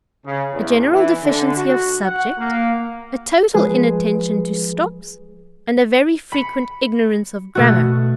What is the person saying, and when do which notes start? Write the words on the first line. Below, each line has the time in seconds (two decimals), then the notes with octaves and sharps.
"A general deficiency of subject, a total inattention to stops, and a very frequent ignorance of grammar."
0.25 C#3
0.53 E2
0.90 E3
1.23 D3
1.56 F#4
2.04 F#5
2.38 A#3
3.54 F3 G#3 G#4 B4
6.32 B5 C#7
7.55 B2 A3 F#4